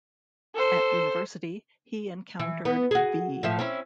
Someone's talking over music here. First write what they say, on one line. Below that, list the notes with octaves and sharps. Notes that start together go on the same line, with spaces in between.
At university, he encountered B.
A4 C5
E3
B3
F#4 G#4
A2 F3 E5
C4 C#4 E4